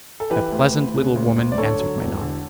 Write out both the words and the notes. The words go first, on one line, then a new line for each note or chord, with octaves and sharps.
A pleasant little woman answered my knock.
A4
E3 G4 B4
D2
D2
C#3
D2
D2
D5
D3 A4 C#5
F#3
E1
D3